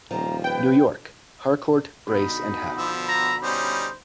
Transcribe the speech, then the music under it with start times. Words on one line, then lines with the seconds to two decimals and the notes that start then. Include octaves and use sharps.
New York: Harcourt, Brace and Howe.
0.11 D#1 F3 C4 A#5
0.44 B4 G5
2.09 B2 D3 D#4 B5
2.78 F3 E6
3.08 A#5
3.43 G3 C#4 D#4 C5